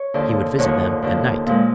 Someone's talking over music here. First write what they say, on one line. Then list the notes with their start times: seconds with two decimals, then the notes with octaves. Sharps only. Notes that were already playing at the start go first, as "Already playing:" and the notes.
He would visit them at night.
Already playing: C#5
0.14 D#2 D3 F3
0.58 D#2 D3 F3 C#5
1.02 D#2 D3 F3
1.46 A#2 F3 G#3